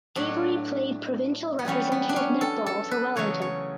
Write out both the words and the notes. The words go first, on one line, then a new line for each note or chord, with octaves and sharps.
Avery played provincial representative netball for Wellington.
A2 F#3 A3 D4
B3
F#2 E3 G3 C#4
B3
D4
C#4
A4
A4
B4
E2 C#3 F#3 A3 C#5
C#5